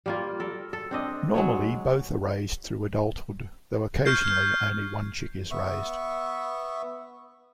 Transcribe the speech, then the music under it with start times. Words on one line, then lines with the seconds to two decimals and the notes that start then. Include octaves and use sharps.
Normally, both are raised through adulthood, though occasionally only one chick is raised.
0.06 G3 A#3 F4
0.40 A4 A#4
0.73 A4
0.91 C4 D4 D#5
1.35 F#3 G#3 C#5
4.05 C#6 F6 G6 G#6 C7
5.51 B3 E5 C#6